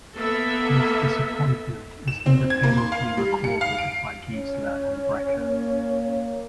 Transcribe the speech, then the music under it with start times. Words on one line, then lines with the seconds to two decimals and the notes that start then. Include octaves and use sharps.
His disappointment is independently recorded by Giesler and Breker.
0.16 A#3 B3 A4 E5
2.08 E7
2.26 C4
2.50 G#6
2.63 A#3
2.78 C6
2.92 F5
3.17 G3
3.44 C#7
3.61 F5
3.78 D7
4.33 C#4 C#5
5.36 A#3
5.93 C#4